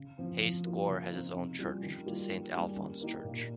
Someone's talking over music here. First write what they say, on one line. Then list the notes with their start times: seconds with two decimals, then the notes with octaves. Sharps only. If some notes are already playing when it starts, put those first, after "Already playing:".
Heist-Goor has its own church, the Saint Alfons church.
Already playing: C#3
0.18 F3 C4
0.40 F3
0.64 A#3 F4
0.88 C#3
1.12 F3 C4 D#4
1.35 C3
1.59 G3 C#4 F4
1.83 D#3
2.06 G3 A#3 F4
2.30 D#3
2.54 G3 A#3 C#4
2.77 D#3
3.01 A#3 D#4 G4
3.24 A#2